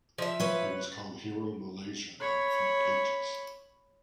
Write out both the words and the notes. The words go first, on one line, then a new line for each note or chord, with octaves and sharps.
He was called Hero Malaysia on the front pages.
F3 E5
B4 C#5
C#5 B5